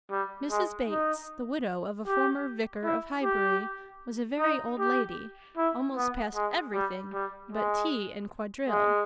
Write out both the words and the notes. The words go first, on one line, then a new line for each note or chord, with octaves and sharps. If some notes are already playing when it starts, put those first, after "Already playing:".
Mrs. Bates, the widow of a former vicar of Highbury, was a very old lady, almost past every thing but tea and quadrille.
G3
G#3
D#4
G4
E4
G4
D#4
G4
E4
B3
G#3
G3
G3
G#3
G#3